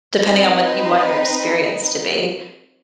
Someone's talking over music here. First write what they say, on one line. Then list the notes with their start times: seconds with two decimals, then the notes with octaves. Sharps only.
depending on what you want your experience to be.
0.25 C4 D#4 B4